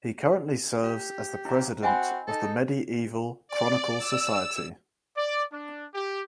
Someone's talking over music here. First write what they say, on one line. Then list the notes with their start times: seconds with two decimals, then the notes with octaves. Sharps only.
He currently serves as the president of the Medieval Chronicle Society.
0.83 G4
1.45 D#2 E4 A#5
1.83 C4 F#4 D#5 F#5 G#5 B5
2.27 D#4 A4
3.48 D5
3.97 E6
5.17 D5
5.52 D4
5.94 G4